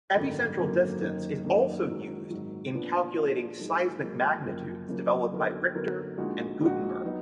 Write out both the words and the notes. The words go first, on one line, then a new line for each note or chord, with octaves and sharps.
Epicentral distance is also used in calculating seismic magnitudes developed by Richter and Gutenberg.
G#1 F#2 D3 F#3 A#3
G#1 F#2 D3 F#3 A#3
F#2 D#3 A#3 D#4
F#2 D#3 A#3 D#4
G#1 G#2 D#3 F#3
G#1 G#2 D#3 F#3
A#2 F3 B3 D4
A#2 F3 B3 D4
G#2 F#3 A#3 D#4 G#4
G#2 F#3 A#3 D#4 G#4
F#1 F#2 F3 A#3
F#1 F#2 F3 A#3
D3 F#3 B3 D#4 A#4
D3 F#3 B3 D#4 A#4
A#1 A#2 G#3 D#4 F#4
A#1 A#2 G#3 D#4 F#4
F#3 B3 D#4